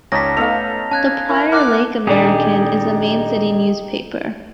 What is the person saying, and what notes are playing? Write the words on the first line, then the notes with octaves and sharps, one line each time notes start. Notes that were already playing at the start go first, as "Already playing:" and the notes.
The "Prior Lake American" is the main city newspaper.
C#2 C#4 D#4 D5 A5 A#6 B6
A3 B3 D#4 A4 F5 F7
C#4 A5 F#6 G#6
E4 A#4
A#4 F#5 A5 D6 F6 F#6
D#1 D4 D#4 G4 G#4 D5